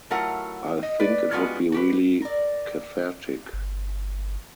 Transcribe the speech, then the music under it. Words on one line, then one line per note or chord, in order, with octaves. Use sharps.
I think it would be really cathartic.
F#3 A3 E4 F4 A#4 F#5
D#5
B4 D5
G3 G#3 B3 C#4 F4 F#4
F#4 G4 B4
A#4 D5
G1